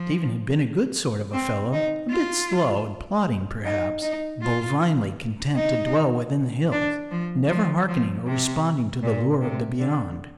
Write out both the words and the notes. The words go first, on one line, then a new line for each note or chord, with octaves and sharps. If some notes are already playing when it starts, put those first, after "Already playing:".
Stephen had been a good sort of a fellow, a bit slow and plodding, perhaps, bovinely content to dwell within the hills, never hearkening or responding to the lure of the beyond.
Already playing: F3
C4
D#4
F4
D#4
D#4
F4
D#4
D4
F3
F3
F3
C3
A#2
C3
D3